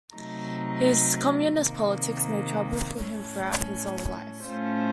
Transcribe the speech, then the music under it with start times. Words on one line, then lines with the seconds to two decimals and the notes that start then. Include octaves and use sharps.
His communist politics made trouble for him throughout his whole life.
0.14 C3 F#3 A3 D#4
1.57 C3 D#3 A#3
3.01 A2 A3 C#4
4.45 A2 A3 C#4 F4 C5